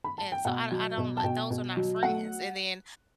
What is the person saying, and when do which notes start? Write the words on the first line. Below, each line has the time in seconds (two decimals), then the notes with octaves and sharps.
And so I I don't like, those are not friends, and then
0.04 B5
0.18 A5
0.32 G5
0.45 B2 F#5
0.72 F#3
0.98 B2
1.17 A5
1.23 B2 G5
1.50 B2
1.77 F#3
2.03 A3 F#5